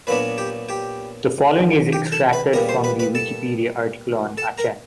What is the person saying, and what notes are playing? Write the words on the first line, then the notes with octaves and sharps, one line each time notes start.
The following is extracted from the Wikipedia article on Aachen.
A#2 F#3 B3 D4 B4 B5
G4 G5
G4 G5
G4 G5
A4 A5
B4 B5
A#2 G3 B3 A#4 A#5
C5 C6
B4 B5
B4 B5
A4 A5
A4 A5
A#4 A#5